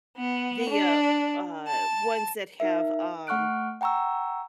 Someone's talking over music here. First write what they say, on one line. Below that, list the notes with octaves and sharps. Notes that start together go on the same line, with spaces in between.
the, uh uh, ones that have, um
B3
D4
A5
D#4 A#4 E5
A3 F#5 C#6 F6 F#6 D7
F#5 G5 A#5 C#6 E6